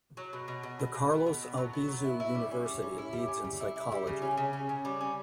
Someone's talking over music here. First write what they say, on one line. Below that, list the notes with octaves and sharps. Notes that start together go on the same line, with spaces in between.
The Carlos Albizu University leads in psychology.
F#3
B2
B2
B2
B2
B2
B3
B2
B3
F#3
B3
F#3
E4
E4
G3
C#4
G3
C#4
E4
G3
C#4
G3
E4
E4
G3
C#3
C#4
C#3
C#4
C#3
G3
C#4